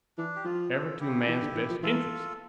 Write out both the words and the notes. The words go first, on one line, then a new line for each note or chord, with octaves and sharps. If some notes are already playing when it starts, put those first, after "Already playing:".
Ever to man's best interests?
E3 D4
G4
F3 F4
F4 A4
E4 G4
E3
D3
E3
F3
E3 F4 A4